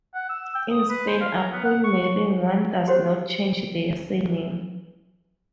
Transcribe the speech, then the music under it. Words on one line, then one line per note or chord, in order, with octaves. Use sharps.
In Spain, upon marrying, one does not change their surname.
F#5
E6
G5
D#6
B4
C5
F5
A#4
B3
F#5
C#6
F#4 G4 A#4 C5 C#5 F#5